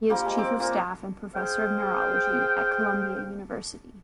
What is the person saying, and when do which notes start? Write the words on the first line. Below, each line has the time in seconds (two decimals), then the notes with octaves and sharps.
He is Chief of Staff and Professor of Neurology at Columbia University.
0.10 F3 G3 A#3 G4
0.25 G#3
0.37 C4 D6
0.60 A#2 A#4
1.35 G#4 C5 F5 G5